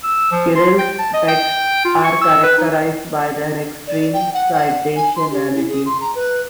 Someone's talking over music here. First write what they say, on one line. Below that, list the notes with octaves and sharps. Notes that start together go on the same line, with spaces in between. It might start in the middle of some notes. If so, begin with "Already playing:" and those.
Kirill's texts are characterized by their extreme citationality.
E6
F3
C6
G5
A5
D#5
G5
F4
C#6
E6
B4
D#4
D5
G5
F#5
F#5
G#5
C6
G4
E4
G#4
C6
A#5
B4